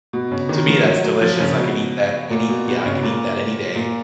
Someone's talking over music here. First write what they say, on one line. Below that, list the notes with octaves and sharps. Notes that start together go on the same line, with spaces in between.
to me, that's delicious, I can eat that any Yeah, I can eat that any day,
B2
C#3
D#3
F3
F#3
F#3
F3
C#3
B2
A#2
B2
B2
C#3
A#2
A#2